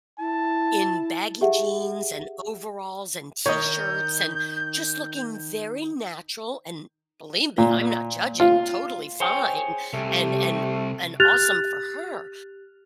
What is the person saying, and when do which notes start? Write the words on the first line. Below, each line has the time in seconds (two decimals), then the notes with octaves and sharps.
in baggy jeans, and overalls, and t-shirts, and just looking very natural and believe me, I'm not judging, totally fine and and and awesome for her,
0.19 E4 A5
1.41 G4 G#4 E5 F#5
3.46 D#3 C#5 D#5 G6
7.58 A#2
8.40 F4
9.20 G#4 C5 C#5 G5
9.93 C2 A3 G4
11.20 G4 F6 F#6 A6 F7